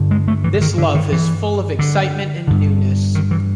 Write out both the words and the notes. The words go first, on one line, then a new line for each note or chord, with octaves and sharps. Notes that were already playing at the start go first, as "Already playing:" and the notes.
This love is full of excitement and newness.
Already playing: G2 D3
G#3
A3
E3
D3
D#3
D3
D#3
E3
D3
G2 D3
D#3
E3